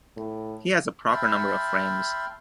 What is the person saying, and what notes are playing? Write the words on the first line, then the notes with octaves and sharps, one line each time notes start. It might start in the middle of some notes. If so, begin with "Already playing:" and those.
He has a proper number of frames.
A2
E5 G5 A5 B5 C6 F6